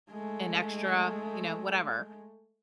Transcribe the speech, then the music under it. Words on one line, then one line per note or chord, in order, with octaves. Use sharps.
an extra, you know, whatever.
G#3 A3